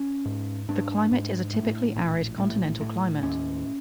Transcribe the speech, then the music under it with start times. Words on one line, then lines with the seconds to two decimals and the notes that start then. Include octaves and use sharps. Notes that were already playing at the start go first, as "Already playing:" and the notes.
The climate is a typically arid continental climate.
Already playing: C#4
0.25 G#2
0.68 G#2 D4
1.11 G#2
1.53 A2
1.95 A#1
2.38 A2
2.81 A2
3.23 D#2 C#4